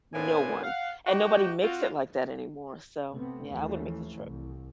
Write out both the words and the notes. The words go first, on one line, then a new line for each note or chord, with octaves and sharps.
No one. And nobody makes it like that anymore, so, yeah, I wouldn't make the trip.
A2 A#3 B3 D4 C5 G#5
F5 F#5
D#4 F#4 G4 G5
C4 F4 F#4
C3 A3 B3 C4
D#2 E3 F3 A3 C#4
C2